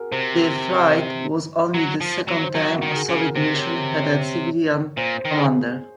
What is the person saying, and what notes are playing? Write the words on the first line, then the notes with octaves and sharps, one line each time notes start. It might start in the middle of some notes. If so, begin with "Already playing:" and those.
The flight was only the second time a Soviet mission had a civilian commander.
Already playing: F#4 G#4 A#4
C3 C5
F#3
F3
F#3
C5
F#3 A#4
F#4
D#3
G#4
C#3
A#4
C3 C5
C#5
C#5
A#2 C5
C5
D#3
G#4